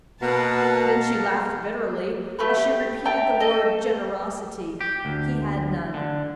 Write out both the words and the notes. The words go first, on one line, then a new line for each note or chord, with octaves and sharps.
Then she laughed bitterly as she repeated the word "generosity"--he had none.
B2 A#3 A#4 F5 F#5 A5 A#5
A3 G4 B4
G4
E5 G5 A5 A#5
A4 D#5
G4
D2
D3